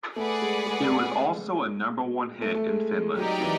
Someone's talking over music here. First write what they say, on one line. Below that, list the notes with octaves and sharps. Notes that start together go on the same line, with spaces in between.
It was also a number-one hit in Finland.
A3 G#4 B4 D5 F#5
G#3
G#3
A3
A3
G#3
G#3
F#3 D#4 G4 A#4 D5 G5
E3